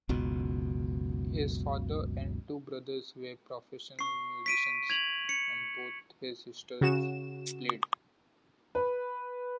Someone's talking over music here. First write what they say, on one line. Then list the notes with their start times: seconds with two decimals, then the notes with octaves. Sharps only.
His father and two brothers were professional musicians and both his sisters played.
0.09 F#1 C#2 B2
3.99 C#6 C7
4.46 B6 D7 D#7
4.90 G#6 F7 F#7
5.29 C#7
6.81 C#3 F#4 E7
8.75 B4